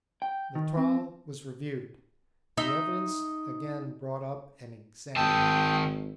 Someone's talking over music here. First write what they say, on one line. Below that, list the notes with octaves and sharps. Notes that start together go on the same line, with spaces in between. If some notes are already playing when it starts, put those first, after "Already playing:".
The trial was reviewed; the evidence again brought up and examined.
G5
D#3
C4
D#4 E5
G#1 D#3 G5 A5 D#6 E6